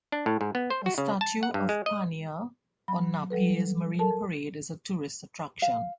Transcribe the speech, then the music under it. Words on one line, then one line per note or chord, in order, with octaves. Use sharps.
A statue of Pania on Napier's Marine Parade is a tourist attraction.
D4
A2
G#2
B3
C5
F#4
C#3
A5
F#5
G2
G#3
D#5
F#3 B5
F#3 G3 A4 B4
A4 A#4 A5
F5